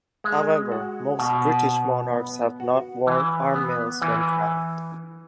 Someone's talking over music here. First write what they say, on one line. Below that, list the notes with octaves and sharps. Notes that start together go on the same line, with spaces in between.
However most British monarchs have not worn armills when crowned.
G#3
F#4
B2
B3
B3
F#4
E3
B3
E3